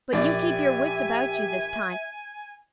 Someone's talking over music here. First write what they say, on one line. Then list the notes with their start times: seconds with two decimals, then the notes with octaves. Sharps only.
But you keep your wits about you this time.
0.13 A#1 G4 D5 E5 G#5